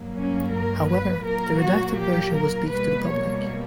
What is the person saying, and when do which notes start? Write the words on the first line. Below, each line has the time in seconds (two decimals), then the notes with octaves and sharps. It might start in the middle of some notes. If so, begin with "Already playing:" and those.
However, the redacted version was leaked to the public.
Already playing: G2 F#3 A#3
0.15 C#4
0.53 A#4
0.89 B4
1.25 A#2 F#3 A#3 A#4
1.61 F#4
1.98 G4
2.34 A#4
2.71 B2 G3 A#3 B4
3.07 C#5